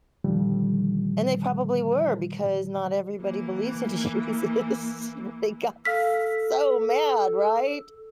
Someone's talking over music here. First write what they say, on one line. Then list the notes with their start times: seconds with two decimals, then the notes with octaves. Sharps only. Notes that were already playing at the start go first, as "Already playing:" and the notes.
and they probably were because not everybody believes in Jesus. They got s so mad, right?
0.24 A#2 D3 D#3 F3 G3 A3
3.21 E3 A#3
5.85 A4 F5 F6 B6